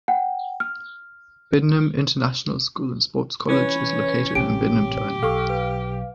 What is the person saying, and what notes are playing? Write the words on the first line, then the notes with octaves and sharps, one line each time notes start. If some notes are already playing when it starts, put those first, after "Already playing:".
Biddenham International School and Sports College is located on Biddenham Turn.
F#5 G5
F6
E3 C#4 B4 C#5
A1 C3 C#4 G4 D7
B1 A4 F5 C#6 E6
B4